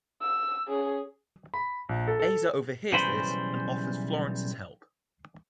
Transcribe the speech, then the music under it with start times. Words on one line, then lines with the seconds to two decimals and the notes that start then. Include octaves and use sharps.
Asa overhears this and offers Florence his help.
0.22 E6
0.68 C#4 G#4
1.54 B5
1.89 A#1
2.07 A4
2.20 A4
2.92 B1 C#3 E3 G3 C5 B5